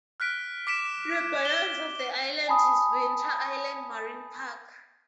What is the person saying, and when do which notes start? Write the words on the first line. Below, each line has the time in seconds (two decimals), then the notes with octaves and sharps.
The balance of the island is Winter Island Marine Park.
0.20 F6 F#6 B6 D7
0.67 D6 B6 D7 E7
1.45 G7
2.47 G#5 A5 B5 D#6